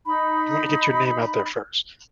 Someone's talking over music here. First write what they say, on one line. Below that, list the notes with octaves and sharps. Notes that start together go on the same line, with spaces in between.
You wanna get your name out there first
D#4 B5